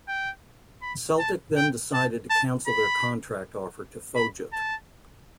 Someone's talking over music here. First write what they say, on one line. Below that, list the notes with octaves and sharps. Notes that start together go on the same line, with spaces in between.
Celtic then decided to cancel their contract offer to Fojut.
G5
B5
A5
G5
A5
A5
B5
B5
A5